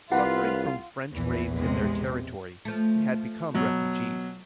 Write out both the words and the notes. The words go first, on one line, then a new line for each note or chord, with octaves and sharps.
Suffering from French raids in their territory, they had become refugees.
C2 E4 F4 G#4 B4 F#5
A#1 E2 E3
C3 G#3
F3 A3
B2 F#3